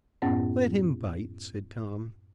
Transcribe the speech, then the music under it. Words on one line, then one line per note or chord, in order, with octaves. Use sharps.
"Let him bite," said Tom.
F#2 A2 B3 C#4